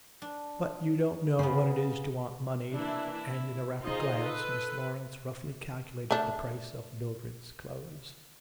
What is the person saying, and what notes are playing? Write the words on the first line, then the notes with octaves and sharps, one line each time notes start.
But you don't know what it is to want money,' and in a rapid glance Miss Laurence roughly calculated the price of Mildred's clothes.
D4
C#3 B3 C5
E3 A#3 D4 E4
E4
D#4 F4 G#4 C5 D#5
A4 B4
A3 D4